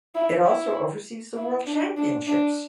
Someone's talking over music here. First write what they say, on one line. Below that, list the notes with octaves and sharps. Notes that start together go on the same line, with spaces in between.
It also oversees the World Championships.
E4
E4
E4
D4
D4
D4